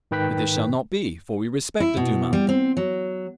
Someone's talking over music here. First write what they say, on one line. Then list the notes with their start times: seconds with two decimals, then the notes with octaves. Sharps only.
But this shall not be, for we respect the Duma.
0.11 G#2 D#3 B4 G5 F#6 B6
1.80 E4
1.97 B2
2.33 G3
2.49 C4
2.77 F#3